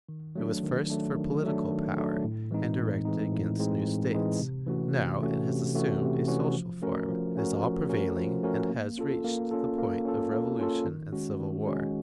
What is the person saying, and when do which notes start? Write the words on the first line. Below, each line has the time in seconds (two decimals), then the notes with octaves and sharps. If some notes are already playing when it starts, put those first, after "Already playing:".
It was first for political power, and directed against new States; now it has assumed a social form, is all-prevailing, and has reached the point of revolution and civil war.
0.09 D#3
0.36 F#3 A3 D4
0.63 D#3
0.90 F#3 A3 D4
1.16 D#3
1.43 F#3 A3 D4
1.70 D#3
1.97 F#3 A3 D4
2.24 A2
2.51 E3 G#3 C4 D#4
2.78 A2
3.05 E3 G#3 C4 D#4
3.32 A2
3.59 E3 G#3 C4 D#4
3.86 A2
4.12 E3 G#3 C4 D#4
4.40 C3
4.66 E3 A3 C#4 F#4
4.93 C3
5.21 E3 A3 C#4 F#4
5.48 C3
5.74 E3 A3 C#4 F#4
6.01 C3
6.28 E3 A3 C#4 F#4
6.55 F3
6.82 A3 C#4 F#4 A#4
7.09 F3
7.36 A3 C#4 F#4 A#4
7.63 F3
7.90 A3 C#4 F#4 A#4
8.17 F3
8.43 A3 C#4 F#4 A#4
8.70 A#3
8.98 C#4 F4 A4
9.24 A#3
9.51 C#4 F4 A4
9.79 A#3
10.05 C#4 F4 A4
10.32 A#3
10.59 C#4 F4 A4
10.86 D#3
11.13 G#3 C#4 F#4
11.40 D#3
11.67 G#3 C#4 F#4